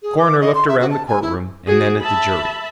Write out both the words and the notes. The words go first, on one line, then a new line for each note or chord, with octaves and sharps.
The coroner looked around the courtroom and then at the jury.
G#4
D6
D#5
C6
E5
F#4
A5
G#5
E4
F#4 G#4
E5 A5 B5